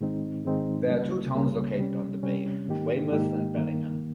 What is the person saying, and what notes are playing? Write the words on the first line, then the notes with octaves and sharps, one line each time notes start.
There are two towns located on the bay: Weymouth and Bellingham.
G#2 D#3 G#3 C4 D#4
G#2 D#3 G#3 C4 D#4
C#2 C#3 G3 A#3 C#4
C#2 C#3 G3 A#3 C#4
C3 G3 C#4
C3 G3 C#4
G#2 D#3 A#3 D#4 G4
G#2 D#3 A#3 D#4 G4
G2 D#3 A#3